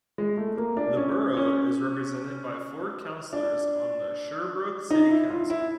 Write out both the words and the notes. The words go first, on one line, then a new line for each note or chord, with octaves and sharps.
The borough is represented by four councillors on the Sherbrooke City Council.
G#3
A3
A#3
D4
C#4
C#4
D4
D#4
E4
F4
E4